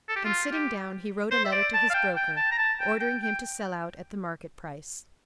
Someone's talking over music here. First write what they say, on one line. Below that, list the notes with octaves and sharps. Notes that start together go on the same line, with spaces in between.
And, sitting down, he wrote a letter to his broker, ordering him to sell out at the market price.
A4
G4
F4
G4
C5
E5
D5
A5
F5
G5
G5
A5
A#5
A5
G5
G5
G5